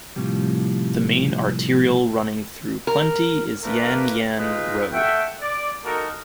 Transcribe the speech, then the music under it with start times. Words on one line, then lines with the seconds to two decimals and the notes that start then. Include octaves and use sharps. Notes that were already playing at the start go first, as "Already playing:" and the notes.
The main arterial running through Plenty is Yan Yean Road.
0.16 A2 C3 F3 G3
2.87 A#4
3.64 A3 A#3 D4 A#4 B4
4.37 G#3 D#4 F4 B4 D#5
4.92 A3 E5 F#5 G5
5.41 D5
5.84 A#3 D#4 F#4 A4 A#4